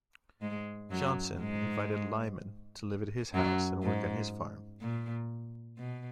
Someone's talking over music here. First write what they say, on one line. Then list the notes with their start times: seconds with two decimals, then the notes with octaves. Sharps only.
Johnson invited Lyman to live at his house and work on his farm.
0.41 G#2 G#3
0.91 F#2 F#3
1.39 G#2 G#3
3.34 F#2 F#3
3.83 G#2
4.81 A#2
5.78 B2